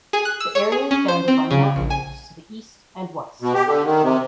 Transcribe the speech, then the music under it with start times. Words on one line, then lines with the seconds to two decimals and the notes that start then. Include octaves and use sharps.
The area is bounded by mountain ranges to the east and west.
0.13 G#4
0.25 F#6
0.40 E6
0.55 C#5
0.72 G#4
0.91 C#4
1.08 C5
1.28 C4
1.51 C#3
1.76 A#1
1.90 G#5
3.42 B2
3.54 G4
3.66 D3
3.84 D#3
4.03 C3